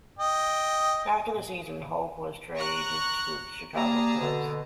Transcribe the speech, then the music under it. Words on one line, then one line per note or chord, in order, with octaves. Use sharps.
After the season, Hoak was traded to the Chicago Cubs.
D#5 G5
A#5 C#6 F#6
G3 A#3 G#4 A5 A#5
B2 D3